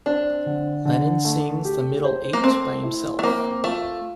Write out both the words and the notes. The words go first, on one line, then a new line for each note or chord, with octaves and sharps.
Lennon sings the middle eight by himself.
C4 D4
D3
D3
A3
G4
C5
A#3
A3 C4
E4
A3
A#3 C4
A3 F4